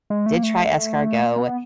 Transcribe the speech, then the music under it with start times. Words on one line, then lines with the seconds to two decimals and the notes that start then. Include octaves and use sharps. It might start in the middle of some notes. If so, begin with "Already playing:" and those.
did try escargot,
0.10 G#3
0.26 A3
0.34 A#3
0.43 A3
1.24 A#3
1.36 A#3
1.40 B3